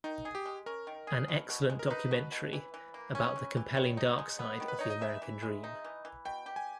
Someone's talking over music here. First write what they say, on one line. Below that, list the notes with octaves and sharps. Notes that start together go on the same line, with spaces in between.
An excellent documentary about the compelling dark side of the American dream.
D#3 D#4
G#4
G4
G#3
C#4 A#4
D#3
G#4
B2
B2
G#3
A#4
D#4 B4
B2
B2
E3
E3
A#3
C#4
E3
E3
D#3 C#5
D#4
G#3
B3
D#3
B4
D#4 C#5
D#5
E3 E5
E3
G#3
D#4
E3
E3
B2 G5
G4
G#5